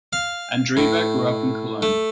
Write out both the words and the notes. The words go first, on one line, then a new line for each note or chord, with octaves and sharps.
Andreeva grew up in Cologne.
F5
A2
A3